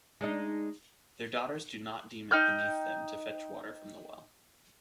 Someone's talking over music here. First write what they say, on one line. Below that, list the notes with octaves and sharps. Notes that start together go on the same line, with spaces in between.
Their daughters do not deem it beneath them to fetch water from the well.
G#3 D4 D#4
D#4 G5 F6 G6